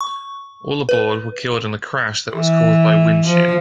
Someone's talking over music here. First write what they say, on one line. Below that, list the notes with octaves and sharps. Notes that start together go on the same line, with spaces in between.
All aboard were killed in a crash that was caused by wind shear.
C#6
B4
E3
F3